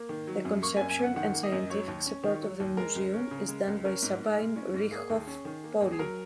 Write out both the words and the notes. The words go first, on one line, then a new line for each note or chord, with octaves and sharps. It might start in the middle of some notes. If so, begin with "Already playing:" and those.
The conception and scientific support of the museum is done by Sabine Rieckhoff-Pauli.
Already playing: A#3
D#3
F#3
F#2
A#3 C#6
G#5
F#2
G#5
F#2 F#5
D#3 F#5
A#3
D#5
F#2
F#3 C#5
D#2
C#4
D#3
F#3
D#2
G#3 A#4
C#2
C#4
C#3
G#3
C#2
C#4 A#4
G#2
G#2
G#3
C#4
G#2
A#3 G#4
D#2
C#4
D#3
A#3
D#2
G#4
F#3 A#4